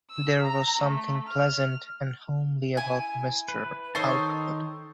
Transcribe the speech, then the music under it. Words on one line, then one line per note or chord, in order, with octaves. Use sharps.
There was something pleasant and homely about Mr. Outwood.
E6
A#5
A3
F6
E4 G#5
B4
D#3 D#4 A4 C5 C#5 A5